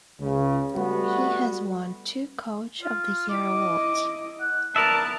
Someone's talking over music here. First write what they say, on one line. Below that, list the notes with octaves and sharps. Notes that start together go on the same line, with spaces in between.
He has won two Coach of the Year awards.
C#2 C#3
G3 A3 B3 F#4
F4
E4 D#5 D6
F#5
B3 A#4 D5 E5 A5